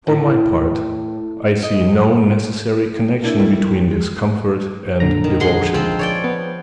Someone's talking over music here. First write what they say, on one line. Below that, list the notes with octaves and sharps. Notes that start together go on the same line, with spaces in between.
For my part, I see no necessary connection between discomfort and devotion.
A2
D#5
A#3 D4 E4
E3 G3 A3
G#3
A#1 D3 A#5
D#3
G#3 F#5 C6
F3 C4
C#5 D5 G5
B3